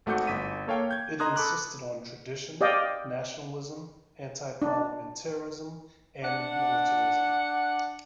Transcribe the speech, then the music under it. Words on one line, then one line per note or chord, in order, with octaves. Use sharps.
It insisted on tradition, nationalism, anti-parliamentarism and militarism.
G#1 A3 F#4 D6 G6 C#7
G1 B6 D#7
A#3 A4 C#5 F5 G5
G6 G#6
D#5 A#5 C6 D#6 F#6 G#6
A4 B5 D6 F#6
G4 D5 D#5 F5 G5
D4
D4 F#5